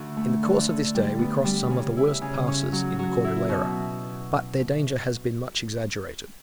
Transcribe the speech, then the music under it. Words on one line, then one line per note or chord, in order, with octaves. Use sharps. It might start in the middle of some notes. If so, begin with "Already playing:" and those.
In the course of this day we crossed some of the worst passes in the Cordillera, but their danger has been much exaggerated.
Already playing: D2
A3
D3
D3
G3
B3
G3
C#3
E4
C#3
C#4
F#3
F#3
E4
B2